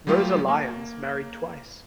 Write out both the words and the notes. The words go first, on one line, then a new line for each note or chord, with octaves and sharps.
Rosa Lyons married twice.
F#3 G3 A3 F4 G4
A#3